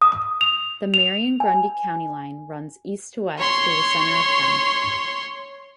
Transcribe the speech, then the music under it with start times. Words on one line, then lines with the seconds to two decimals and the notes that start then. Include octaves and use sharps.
The Marion-Grundy county line runs east-to-west through the center of town.
0.02 D#6
0.41 F7
0.94 F7
1.40 G#5
3.38 C#5 C6